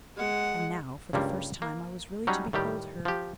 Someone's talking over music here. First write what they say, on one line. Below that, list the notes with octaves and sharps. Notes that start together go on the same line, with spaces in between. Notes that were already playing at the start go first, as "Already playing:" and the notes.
And now, for the first time, I was really to behold her....
G#3 F#5
C#2 G2 G3 A#3
A#3
F#3 G3 C#4 D#4
A2 D#3 G3 G4
F3 G4